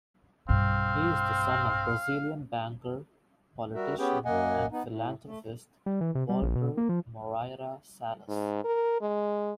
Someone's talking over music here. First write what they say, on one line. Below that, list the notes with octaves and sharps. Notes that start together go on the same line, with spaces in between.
He is the son of Brazilian banker, politician and philanthropist Walter Moreira Salles.
B1 G2 C4 F5
G3 F#4 A#4 E5
B3 C#4 G4 G#4 B4 G5
F#2 A#3 D#5 F#5 G#5
B3 D#4
A2
A3
G3
E3
C3
G3
A#1
B2
A#3
F3
G#2
A#4
G#3